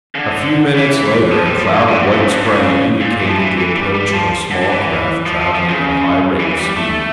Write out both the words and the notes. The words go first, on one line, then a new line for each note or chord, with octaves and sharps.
A few minutes later a cloud of white spray indicated the approach of a small craft travelling at a high rate of speed.
C#3
D3
E3
F3
G3
F3
D3
E3
D3
C#3
D3
C#3
A#2
E3
F3
E3
E3
G3
G3
F3
D3
D3
E3
F3
F3
F3
C#3
E3
G3
A3